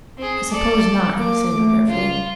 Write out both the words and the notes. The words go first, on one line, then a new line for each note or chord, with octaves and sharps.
"I suppose not," he said regretfully.
C4 G#4
A4 D5
A#3 D6
A3
C#2 F4